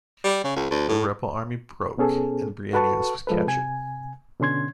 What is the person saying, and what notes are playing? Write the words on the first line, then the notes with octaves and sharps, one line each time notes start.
The rebel army broke and Bryennios was captured.
G3
C#3
C#2
D2
A2
B2 B3 C#4 G#4 A4
F#4 A4 B4 F#5 A5 C#6
F3 G#3 A4 B4
C3 G#5
B2 D3 C#4 C6 G#6